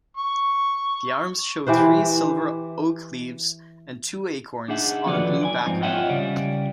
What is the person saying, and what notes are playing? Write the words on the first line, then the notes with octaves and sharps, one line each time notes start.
The arms show three silver oak leaves and two acorns on a blue background.
C#6
E3 G4 B4 C5
D4 D#4 G#4 E5 F#5
D#2 D3 F3 F#3 B4 D5
D5 D#5 G#5
G#2 F3 C4 D#4
F4 C#5 D#5 E5 F#5 G5
C#3 G3 D5